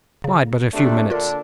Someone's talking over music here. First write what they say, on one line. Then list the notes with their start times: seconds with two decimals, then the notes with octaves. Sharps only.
Bide but a few minutes.
0.24 C#3
0.73 C3 A3 D4
1.10 A#2 D3 D4 F4 A#4